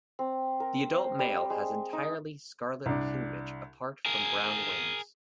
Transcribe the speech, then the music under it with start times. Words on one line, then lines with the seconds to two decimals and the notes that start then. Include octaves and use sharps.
The adult male has entirely scarlet plumage apart from brown wings.
0.19 C4
0.60 A#4
0.92 C5
1.19 G3
1.50 G#3
1.93 D#4
2.86 C2 D4
4.06 G#4 A#4